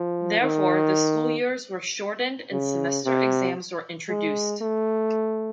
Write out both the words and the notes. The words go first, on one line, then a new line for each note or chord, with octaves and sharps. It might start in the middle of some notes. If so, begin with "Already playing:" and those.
Therefore, the school years were shortened and semester exams were introduced.
Already playing: F3
D#3
C#3
C3
G#3
A3